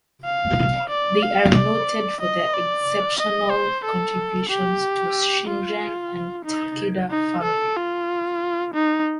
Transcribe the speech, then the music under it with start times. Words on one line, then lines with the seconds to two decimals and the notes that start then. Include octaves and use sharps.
They are noted for their exceptional contributions to Shingen and the Takeda family.
0.25 F5
0.90 D5
1.23 F5
1.56 D5
2.21 D#5
2.54 D5
3.19 D#5
3.51 C5
3.84 A4
4.50 G4
5.48 F4
6.45 D#4
7.10 D#4
7.43 A4
7.76 F4
8.74 D#4